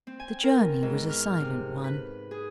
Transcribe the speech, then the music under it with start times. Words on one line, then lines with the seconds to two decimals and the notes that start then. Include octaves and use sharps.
The journey was a silent one.
0.07 C4
0.20 G#5
0.43 A#4
0.59 E2
0.83 G#2
1.10 F6
1.41 C3
1.84 B4
2.31 G#4